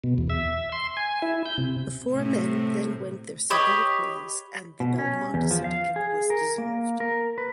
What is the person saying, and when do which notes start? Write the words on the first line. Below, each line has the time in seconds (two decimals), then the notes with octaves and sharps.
The four men then went their separate ways and the Belmont Syndicate was dissolved.
0.04 B2
0.18 E2
0.30 E5
0.72 C6
0.97 G#5
1.22 E4
1.46 G6
1.58 C3
2.12 A2 C3
3.50 G4 B4 C#5 D#5
4.80 B2
4.99 C#4
5.34 E2
5.51 F3
5.64 F5
5.96 G#4
6.30 A#4
6.58 A#3
7.00 A#4
7.38 B4